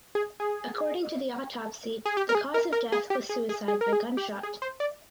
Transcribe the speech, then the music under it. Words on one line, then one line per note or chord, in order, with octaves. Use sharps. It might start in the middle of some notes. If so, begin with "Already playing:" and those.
According to the autopsy the cause of death was suicide by gunshot.
G#4
G#4
G#4
G4
A#4
G#4
A#4
A#4
G#4
G4
G#4
G#4
G#4
A#4
G#4
G4
G#4
C5
D5